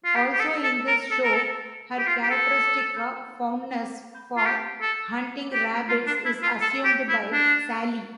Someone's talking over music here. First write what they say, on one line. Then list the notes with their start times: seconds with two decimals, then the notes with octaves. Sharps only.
Also in this show, her characteristic fondness for hunting rabbits is assumed by Sally.
0.04 F4
0.15 G4
0.33 G4
0.39 A4
0.63 A4
0.87 A#4
1.11 A4
1.24 A#4
1.35 A4
1.98 G4
2.07 F4
2.23 G4
2.30 A4
4.37 F4
4.45 G4
4.81 A4
5.53 G4
5.88 F4
6.07 D4
6.25 E4
6.42 F4
6.61 A4
6.84 G4
7.08 E4
7.32 D4